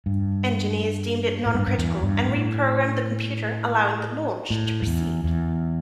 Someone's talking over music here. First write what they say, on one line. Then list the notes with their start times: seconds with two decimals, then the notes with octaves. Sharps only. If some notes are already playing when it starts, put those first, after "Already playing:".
Engineers deemed it non-critical and reprogrammed the computer, allowing the launch to proceed.
0.06 G2
1.46 A2
1.54 G2
1.67 G2
1.78 E2
2.03 G2
2.28 A2
4.50 A2
4.82 G2
4.87 E2
5.24 E2